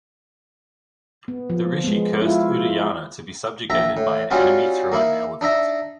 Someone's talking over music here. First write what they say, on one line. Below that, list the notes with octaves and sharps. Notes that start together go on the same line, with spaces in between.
The rishi cursed Udayana to be subjugated by an enemy through an elephant.
B3
F3
G#3 B3
E4 F4
E4
A#1 E5 A#5
A2
G3 C4 C#4 D#4 F4 F#4
A#3 D#4 E4
D4 D#4 E5 A#5